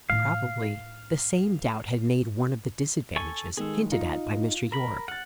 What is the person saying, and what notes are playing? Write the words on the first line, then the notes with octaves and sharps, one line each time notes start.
Probably the same doubt had made one of the "disadvantages" hinted at by Mr. Yorke.
A2 D#4 F5
A4 G#5 C#6
D#3 G#3 G#4 A4
D#4 F4
A#4 B5
F#5 F6 A6